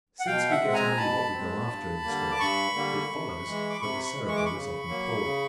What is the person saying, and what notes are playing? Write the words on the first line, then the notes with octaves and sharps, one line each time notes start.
Since we get only what we go after in this world, it follows that the Cerebral is often poor.
F#5
B2 F5 G5
E5 F#5
G#3 C4
G#5 A#5
B2 A5 B5
G#3 C4
G2
D3 G3 A#3
D6
G2 B5 C#6
D3 G3 A#3
C3
E3 G#3
D6
C3 B5 C#6
B5 C#6
E3 G#3
C#6
D6
B5 C#6
C#3
F#3 A#3
C#3